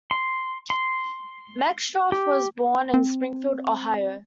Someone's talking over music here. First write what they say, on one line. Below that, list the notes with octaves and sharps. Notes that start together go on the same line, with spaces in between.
Meckstroth was born in Springfield, Ohio.
C6
C6
G4
C4